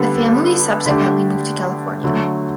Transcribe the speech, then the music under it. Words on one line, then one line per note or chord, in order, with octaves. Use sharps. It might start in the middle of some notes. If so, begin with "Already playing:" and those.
The family subsequently moved to California.
Already playing: D3 G3 B3 D4 A4
D3 A3 D4 G4
D3 F#3 A3